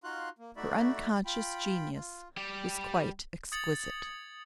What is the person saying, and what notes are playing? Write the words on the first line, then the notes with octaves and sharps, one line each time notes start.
Her unconscious genius was quite exquisite.
D#4 F4 F#4 F5 C6 F#6
A#3
A3 D#4 F#4 D5 E5 B5
F4 G5 B5
F4
G3 G4
D#6 G#6 A6 C#7 F#7